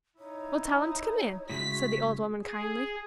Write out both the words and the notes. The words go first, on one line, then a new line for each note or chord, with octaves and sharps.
"Well, tell him to come in," said the old woman kindly.
D#4 E4 C#5
A2 C#3 G#3 F#4 B6
G#4